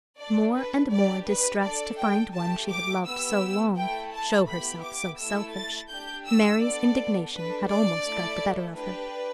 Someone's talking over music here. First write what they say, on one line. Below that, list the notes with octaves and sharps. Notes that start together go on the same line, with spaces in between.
More and more distressed to find one she had loved so long show herself so selfish, Mary's indignation had almost got the better of her.
D4 A4 D5
B4
D4 G4 D5
B4
D4 A4 D5
G5
A3 G4 A5
D6
B3 G4 E6
A3 E4 A4 G5
A5
B3 E4 G4 B5
D6
A3 E4 A4 E6
A6
D4 G4 G6
E6
B3 D4 A4 D5
D4 A4 B4
D5
A3 E4 A4
D4 G4 B4